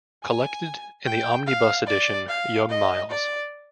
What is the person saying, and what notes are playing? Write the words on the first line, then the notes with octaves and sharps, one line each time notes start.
Collected in the omnibus edition "Young Miles".
G#5
G5
F5
D5
F5
D#5
D5